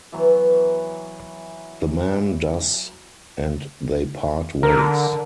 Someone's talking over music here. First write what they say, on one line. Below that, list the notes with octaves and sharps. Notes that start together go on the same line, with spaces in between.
The man does and they part ways.
E3 F#3 B3
D3 A#4